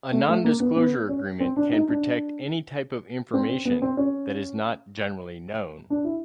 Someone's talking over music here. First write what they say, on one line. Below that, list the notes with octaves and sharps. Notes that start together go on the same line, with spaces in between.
A nondisclosure agreement can protect any type of information that is not generally known.
A3
A3
A#3
B3
B3
C#4
C4
D4
D#4
D4
C4
C4
B3
C4
C#4
D4
E4